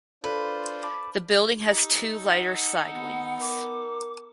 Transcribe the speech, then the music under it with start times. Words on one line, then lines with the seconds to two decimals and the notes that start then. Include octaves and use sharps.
The building has two lighter side wings.
0.24 D4 F4 A4 B4 C5
0.83 A5 B5 D6
1.64 D#4 G4 A4
2.27 F#5
2.90 B3
3.41 A#4 D6